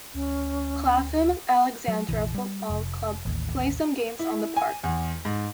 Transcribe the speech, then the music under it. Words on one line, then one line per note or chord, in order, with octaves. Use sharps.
Clapham Alexandra football club play some games on the park.
D2 C#4
F#3
F1 A#1 E3
G3
F1
A1 D#2
E4
G#5
E2
G#2